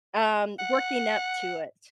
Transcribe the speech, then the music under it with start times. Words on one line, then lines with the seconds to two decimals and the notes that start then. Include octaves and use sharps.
um, working up to it.
0.59 F#5